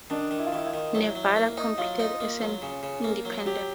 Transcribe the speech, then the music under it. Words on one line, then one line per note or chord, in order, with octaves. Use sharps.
Nevada competed as an independent.
D#3 D4
D#3
E4
F4
D#3 E4
F4
D#3
F#3 E4
F#3
A#3
D#4
F#3 F4
D#4
A#3
F#3
C#3
C#3
A#3
F#3
F#3 G4